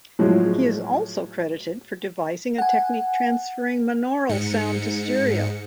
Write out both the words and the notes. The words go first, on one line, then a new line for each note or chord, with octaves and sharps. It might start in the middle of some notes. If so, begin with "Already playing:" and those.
He is also credited for devising a technique transferring monaural sound to stereo.
A2 F3 F#3 G#3
F#5 G#5
G#2 C#7